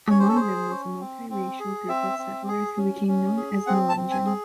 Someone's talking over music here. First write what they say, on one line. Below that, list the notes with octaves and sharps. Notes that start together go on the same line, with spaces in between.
Among them was a multi-racial group of settlers who became known as Melungeon.
C#4 C#5
C5
A4
G#4 C5
C#4
C4
C4
G#4
C4 E5
C4
G#4
C#4
C#4
G#4
C4 F#5
A5
C4
G#5
G#4